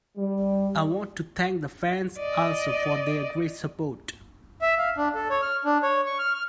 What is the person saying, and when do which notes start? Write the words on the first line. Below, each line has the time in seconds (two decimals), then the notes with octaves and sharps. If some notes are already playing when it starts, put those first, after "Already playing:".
I want to thank the fans also for their great support.
0.17 G3
2.18 D5 D#5
4.62 E5
4.78 F5
4.97 D4
5.14 A4
5.30 C#5
5.42 F6
5.65 D4
5.83 C#5
6.06 C#6
6.19 F6
6.34 F6